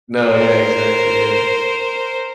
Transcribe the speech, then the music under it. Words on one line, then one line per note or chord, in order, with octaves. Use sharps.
No, yeah, exactly, yeah.
A#4 C5